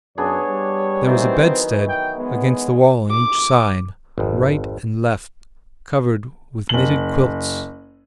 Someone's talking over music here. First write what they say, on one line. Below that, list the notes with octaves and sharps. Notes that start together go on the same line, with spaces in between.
There was a bedstead against the wall on each side, right and left, covered with knitted quilts.
F#2 B3 D4 G#4 C#5
G3
D#3 E3 F#3 C4
G5
G#3 B3
D6
G#1 F2
F#1 F#7